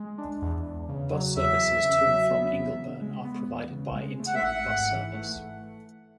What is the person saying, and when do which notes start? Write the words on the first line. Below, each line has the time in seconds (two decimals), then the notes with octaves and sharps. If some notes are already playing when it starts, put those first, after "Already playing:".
Bus services to and from Ingleburn are provided by Interline bus service.
Already playing: G#3
0.18 D4
0.42 E2
0.65 E2
0.88 C#3
1.13 F#3
1.36 E2 E5
1.60 E2
1.83 C#3
2.07 F#3
2.30 B3
2.53 E2
2.78 C#3
3.01 G#3
3.24 B3
3.48 E2
3.72 C#3
3.95 G#3
4.19 A3
4.27 F#5
4.35 E5
4.42 G#1 F#5
4.66 G#2
4.90 E3
5.13 A3